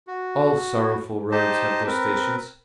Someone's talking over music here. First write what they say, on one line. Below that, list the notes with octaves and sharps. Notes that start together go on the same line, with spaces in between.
All sorrowful roads have their stations.
F#4
D#4 G4 C5 D#5 A5
C4 A#4 B4